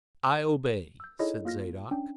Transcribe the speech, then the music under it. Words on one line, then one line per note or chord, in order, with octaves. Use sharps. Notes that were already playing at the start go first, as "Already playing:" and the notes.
"I obey," said Zadok.
E6 G6
D#4 E4 G#4 A4 C#5 D#5
A#3 F4 F6 A#6
C#4 D4 G5